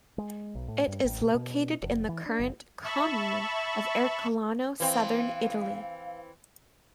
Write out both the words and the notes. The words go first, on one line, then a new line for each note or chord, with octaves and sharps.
It is located in the current "commune" of Ercolano, southern Italy.
G#3
B1
A2
G2
A1
B2
B2
F1
E3
D4
F#1
E5 A5 B5 C#6
E3 C4 F5